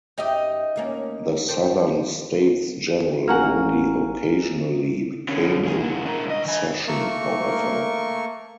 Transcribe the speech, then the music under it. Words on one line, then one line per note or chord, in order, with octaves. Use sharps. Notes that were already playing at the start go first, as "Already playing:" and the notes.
The southern States General only occasionally came in session, however.
F#2 D#4 G4 D#5 E5
D2 A#3 C#4
G4 A4 C5
A1 A#3 F#4 F#5 G#5 A#5 F6
D3 C#4
F3 G#4
C#2 E4
D4 A#4
C2 D#5
D#3 G#5
A3 A#3 A#4 C#6